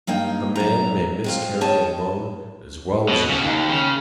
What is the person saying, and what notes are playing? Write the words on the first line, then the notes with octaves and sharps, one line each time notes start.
A man may miscarry alone as well as in company.
G2 A#3 D#4 G5
F#2 A#5
G#3 C4 F4
C#5 D#5 G5 A5
B2
C#3 F#4
D#2
C#3